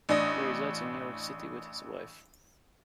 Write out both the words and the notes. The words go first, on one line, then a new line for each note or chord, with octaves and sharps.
He resides in New York City with his wife.
A1 D4 D#5 D#6